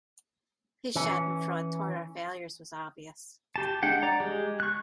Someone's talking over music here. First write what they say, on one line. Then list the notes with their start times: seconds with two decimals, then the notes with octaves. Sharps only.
His Schadenfreude toward our failures was obvious.
0.96 E3 C#4
3.56 G4 A5
3.83 G#3 D4 F#5 G5
4.03 D5 A#5
4.20 G#3 G4
4.60 C#6 F#6